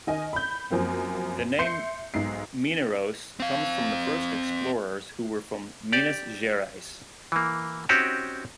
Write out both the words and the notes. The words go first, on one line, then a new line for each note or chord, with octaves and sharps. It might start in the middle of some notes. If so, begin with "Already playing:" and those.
The name "Mineiros" comes from the first explorers who were from Minas Gerais.
D#3 D#5 G#5
B5 G6
F#2 F3 A#3 C4
E5 C6 G6 C7 C#7
B1 G#2 C7
C4 F5
G4 D5
E3 A#3
C4 C#4 D#4 F#4 G4